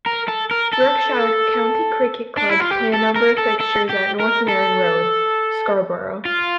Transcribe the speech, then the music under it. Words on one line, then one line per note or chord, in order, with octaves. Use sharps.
Yorkshire County Cricket Club, play a number of fixtures at North Marine Road, Scarborough.
A#4
A4
A#4
A4
D4
E4
F4
G4
A4
A#4
A4
A4
G4
A#4
A4
F4